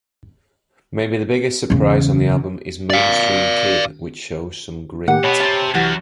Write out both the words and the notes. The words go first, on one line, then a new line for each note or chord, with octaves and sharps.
Maybe the biggest surprise on the album is "Mainstream Kid," which shows some grit!
E2 C#3
D5 F5
A2 D#3 A#3 G4 F#5
B2 B3 C#5 B5
C3 C4 A5
C2 F#2 E3 F#4 G4 A6